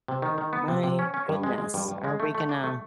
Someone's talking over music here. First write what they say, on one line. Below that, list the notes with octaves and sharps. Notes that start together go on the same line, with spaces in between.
my goodness, are we gonna
C3
D#3
D#3
B3
C3
C3
C#4
C#4
G2
G#3
G#3
G2
G2
G#3
A3
A3
D4
A3